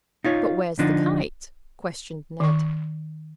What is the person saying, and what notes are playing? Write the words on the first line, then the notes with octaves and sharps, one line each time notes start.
"But where's the kite?" questioned Ned.
D#4 F4 C#5
D3 F3 D4 D#4
D#3 C#6